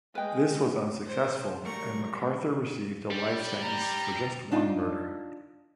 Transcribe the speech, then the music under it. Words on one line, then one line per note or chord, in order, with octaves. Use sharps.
This was unsuccessful and MacArthur received a life sentence for just one murder.
G#3 B4 G5
C5
F#3 G3 A3 A#4 C#6
G3
A#5
D4 D#4 F4